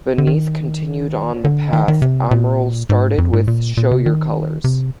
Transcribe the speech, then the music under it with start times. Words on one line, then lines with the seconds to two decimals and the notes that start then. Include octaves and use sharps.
Beneath continued on the path Amoral started with "Show Your Colors".
0.18 D3
0.27 D#3
1.44 D3
1.73 D#3
1.88 D#3
2.02 C3
2.31 A#2
2.90 G#2
3.18 F2
3.33 G#2
3.48 A#2
3.77 A#2
3.91 C3
4.06 D#3
4.64 C3